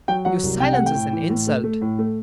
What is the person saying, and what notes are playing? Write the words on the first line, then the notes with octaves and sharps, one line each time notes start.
"Your silence is an insult!"
F#3 G5
F#3 F#5
C2
C3 G5
A3 F#5
G5
A2
E3
A2
A3
A3
A2
A3